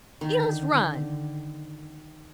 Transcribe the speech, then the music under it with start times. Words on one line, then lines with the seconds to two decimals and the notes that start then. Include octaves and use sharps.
"Eels run!"
0.21 D3 D#3